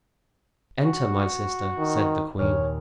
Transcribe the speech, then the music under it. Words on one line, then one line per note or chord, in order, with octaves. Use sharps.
"Enter, my sister," said the queen.
F#4
D#3
D#2 A#2 C#5 F6